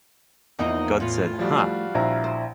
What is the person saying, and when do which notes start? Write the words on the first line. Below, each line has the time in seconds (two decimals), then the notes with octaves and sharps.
God Said Ha!
0.59 E2 F3 A#3 D#4 E4 D#5
1.00 A2 F4 B4
1.39 F3 G3 F#4 F5
1.95 A#1 E4 A#5
2.24 C5